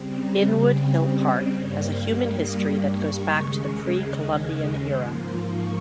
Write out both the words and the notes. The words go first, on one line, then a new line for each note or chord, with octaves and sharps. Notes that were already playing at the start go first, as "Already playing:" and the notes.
Inwood Hill Park has a human history that goes back to the Pre-Columbian era.
Already playing: C#3 G3 C4
A#5
G#5
F5
C5
D#5
G2 G3 A#3 C#5
C5
A#5
D#6
C#6
D#2 C#3 G#3
G#2 F3 A#3 C6
C6
C#6